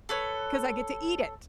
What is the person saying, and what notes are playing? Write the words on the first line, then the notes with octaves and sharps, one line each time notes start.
'Cause I get to eat it."
A4 B4 C#5